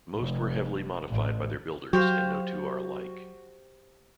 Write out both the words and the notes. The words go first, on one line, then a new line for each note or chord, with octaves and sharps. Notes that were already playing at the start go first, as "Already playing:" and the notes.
Most were heavily modified by their builders, and no two are alike.
F1
A1
F#3 F#4 G4 C5 F5